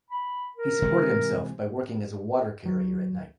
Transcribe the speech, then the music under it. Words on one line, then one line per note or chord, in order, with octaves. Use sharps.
He supported himself by working as a water-carrier at night.
B5
A#4
C3 E3 G#3
F#3